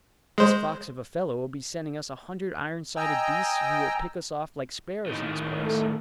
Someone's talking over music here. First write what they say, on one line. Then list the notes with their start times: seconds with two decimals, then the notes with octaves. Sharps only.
This fox of a fellow will be sending us a hundred iron-sided beasts who will pick us off like sparrows in this place.
0.38 G#3 C5
2.96 D#5 G5 G#5 A#5 E6
5.06 A2 D#3
5.60 A3